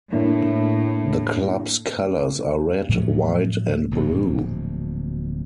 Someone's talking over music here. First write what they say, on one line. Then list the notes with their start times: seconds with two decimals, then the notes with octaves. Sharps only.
The club's colors are red, white and blue.
0.13 A2 A#3 D4 E4
2.89 A2 F3 F#3 A3
3.91 D1 D2 A#2 F3